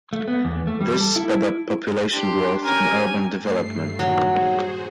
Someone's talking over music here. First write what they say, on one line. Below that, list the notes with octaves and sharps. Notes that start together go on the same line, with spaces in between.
This sped up population growth and urban development.
A3
B3
E2
A3
G3
A4
E4
D4 G4 C6
C#4 G4 A#4 G#5
G2 A3 C7
G2 A#2 D#3 F#3
F#4 G#4 C5